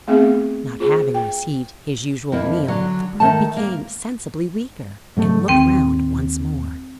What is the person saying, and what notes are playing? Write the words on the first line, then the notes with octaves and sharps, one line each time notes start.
Not having received his usual meal the bird became sensibly weaker, and looked round once more.
A3 B3 C4 D#4 G#4 E5
F4 G#4 C5
G5
F2 A#3 E4
D3 F#3
D#3 A3 A5
A#3
G#2 F#3 A3
D#2 C4 G5